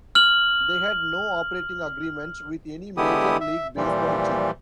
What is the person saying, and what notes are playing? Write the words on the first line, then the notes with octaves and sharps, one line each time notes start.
They had no operating agreement with any Major League Baseball team.
F6 F#7
D3 G#3 B3 E4 G4 D#6
E5
A#2 E3 F3 G3